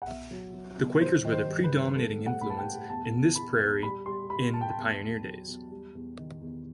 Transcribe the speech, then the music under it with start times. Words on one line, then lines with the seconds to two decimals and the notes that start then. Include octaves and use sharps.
The Quakers were the predominating influence in this prairie in the pioneer days.
0.02 F#5
0.07 B2 E5
0.31 F#3
0.54 F#3
0.78 B2
1.01 F#3 C5
1.25 D#3
1.32 C5
1.48 G2
1.64 B4
1.71 G2
1.95 G3 A4
2.18 A2
2.26 F#5
2.41 A2 B5
2.50 A5
2.57 G5
2.66 G3
2.89 E2 A5
3.12 E2
3.35 E2 B5
3.60 E2
3.83 G3 B5
4.06 G3 C6
4.30 G3 B5
4.53 G3 A5
4.61 G5
4.69 A5
4.77 E2
5.00 E2
5.24 F#3
5.47 E2
5.71 G3
5.95 E2
6.18 D#3
6.41 E2